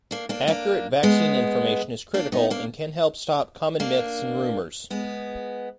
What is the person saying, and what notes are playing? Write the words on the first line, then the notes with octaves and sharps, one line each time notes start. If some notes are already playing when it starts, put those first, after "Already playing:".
Accurate vaccine information is critical and can help stop common myths and rumors.
A#3 D4
A#3 D4
A#3 D4
G#3 B3
A#3 D4
B3 D#4
A#3 D4
A#3 D4
G#3 B3